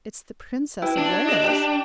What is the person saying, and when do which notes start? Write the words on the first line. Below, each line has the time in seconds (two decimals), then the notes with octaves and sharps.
"It's the Princess of Wales."
0.82 E4 B4 G5
0.97 D4
1.09 F#4 C#5
1.27 G#4 D#5
1.43 D#4 G4 G5